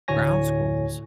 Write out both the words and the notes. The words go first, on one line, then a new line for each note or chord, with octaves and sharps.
Ground squirrels?
D2 A2 C#5 G#5 A#6